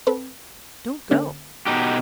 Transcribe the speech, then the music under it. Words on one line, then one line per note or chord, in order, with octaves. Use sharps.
Don't go.
C4 A4 B4
D3 A#3 C#4
B2 D#4 G4